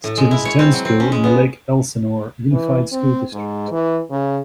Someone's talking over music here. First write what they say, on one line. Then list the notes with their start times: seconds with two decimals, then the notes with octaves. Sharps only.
Students attend school in the Lake Elsinore Unified School District.
0.04 A2
0.17 G#3
0.31 E4
0.45 C#5
0.59 C4
0.73 F#3
0.85 C4
1.00 C#4
1.12 G#3
1.24 B3
2.52 E3
2.92 C4
3.33 G#2
3.71 E3
4.10 C#3